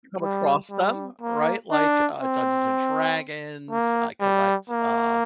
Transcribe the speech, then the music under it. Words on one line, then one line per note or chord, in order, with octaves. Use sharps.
come across them, right? Like, uh, Dungeons& Dragons, I collect, uh,
G3
G3
A#3
D4
C4
A#3
G3
A#3